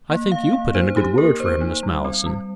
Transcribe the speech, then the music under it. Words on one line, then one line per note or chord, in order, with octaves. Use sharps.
"I think you put in a good word for him, Miss Malleson."
A#3
A#3 F5
A#3
D#4 C5
D#4 G4
A#3 A#4
A#3 C5
D#4
G3
C4
G3